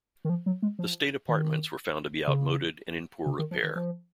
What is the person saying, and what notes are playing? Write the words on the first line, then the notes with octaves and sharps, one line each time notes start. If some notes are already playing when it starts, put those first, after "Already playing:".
The state apartments were found to be outmoded and in poor repair.
D#3
F3
F#3
G#3
F3
D#3
C#3
C#3
D#3
F3
D#3
F3